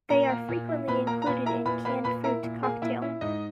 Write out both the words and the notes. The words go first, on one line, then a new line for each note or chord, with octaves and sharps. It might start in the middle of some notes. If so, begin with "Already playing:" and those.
They are frequently included in canned fruit cocktail.
A#2 A#4 A#5
A#3
A#2
E4
A#2 B4 B5
A#3 A#4 A#5
A#5
A#2 B4 B5
E4 A#4 A#5
A#2 B4 B5
A#3 B4 B5
A#2 B4 B5
E4 A#4 A#5
A#2
A#3 G#4 G#5
A#2 E4 E5
C#4 E4 C#5
G#2 D#4 D#5